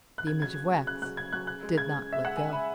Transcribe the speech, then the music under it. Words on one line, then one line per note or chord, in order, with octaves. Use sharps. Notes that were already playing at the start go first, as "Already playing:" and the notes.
The image of wax did not let go.
F#6
C#3 G#6
F#3 G#6
C#3
F#3
C#3 F#6
F#3 F#6
C#3 G#6
F#3 F#6
C#3 F#6
G#3
C#3 G#6
G#3
C#3
E5
G#3 F#5
C#3 G#5
G#3 B5